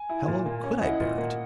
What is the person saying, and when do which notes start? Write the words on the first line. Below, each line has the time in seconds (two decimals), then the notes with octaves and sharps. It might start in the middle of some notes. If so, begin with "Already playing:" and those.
How long could I bear it?
Already playing: G#5
0.09 E4
0.28 A#2
0.46 A#3
0.64 C#4
0.81 E4 D#5 F#5
1.00 A#2
1.18 A#3